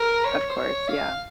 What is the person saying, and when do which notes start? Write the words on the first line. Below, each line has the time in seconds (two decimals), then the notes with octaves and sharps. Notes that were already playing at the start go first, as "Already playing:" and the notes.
Of course, yeah.
Already playing: A#4
0.25 C#5
0.49 C5
0.56 C#5
0.88 F5